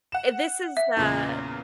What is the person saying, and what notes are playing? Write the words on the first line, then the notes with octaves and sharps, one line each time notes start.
Eh, this is, um
F#5 E7
E5
E2 A#2 C#3